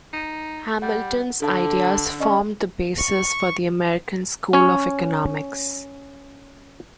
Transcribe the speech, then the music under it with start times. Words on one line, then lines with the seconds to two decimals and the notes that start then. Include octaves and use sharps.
Hamilton's ideas formed the basis for the "American School" of economics.
0.13 D#4
0.82 G3 F#5
1.42 D3 D4 A4
2.20 C#4 D5 D#5
2.98 C#6
4.53 C#4 C#5